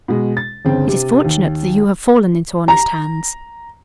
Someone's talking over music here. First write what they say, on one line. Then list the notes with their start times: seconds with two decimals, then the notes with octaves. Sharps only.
It is fortunate that you have fallen into honest hands.
0.08 B2 G#3
0.37 A6
0.65 G1 C#3 C4
0.88 C3
1.24 D#2
2.68 A#5